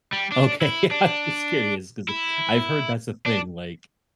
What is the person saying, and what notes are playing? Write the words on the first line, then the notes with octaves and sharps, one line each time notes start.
Okay, I'm just curious ‘cause I've heard that's a thing like
G3
D4
E4
D4
E4
D4